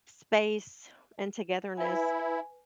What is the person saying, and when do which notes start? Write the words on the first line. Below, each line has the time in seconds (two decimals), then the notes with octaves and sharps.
space and togetherness,
1.77 E4 B4 G#5